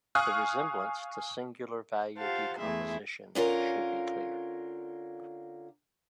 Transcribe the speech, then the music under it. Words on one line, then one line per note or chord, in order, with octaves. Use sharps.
The resemblance to Singular Value Decomposition should be clear.
F5 G#5 C#6 D#6 F6 F#6
F4 G4 C5 F5 F#5 A5
E2 A3 E4 G#4 E5 C6
D3 C#4 F4 A#4